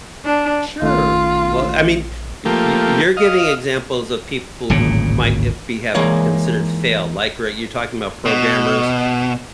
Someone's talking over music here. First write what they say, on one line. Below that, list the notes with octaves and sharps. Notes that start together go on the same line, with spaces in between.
Sure. Well, I mean, y y you're giving examples of people who might, uh, be have considered failed, like, r you're talking 'bout programmers,
D4
A#1 D#3 A3 C#4 F4
F3 A3 A#3 G4
D#5 F5
D1 G#1 A#2 C#3
E3 G#3 A#3 D#4 C#5 D5
B2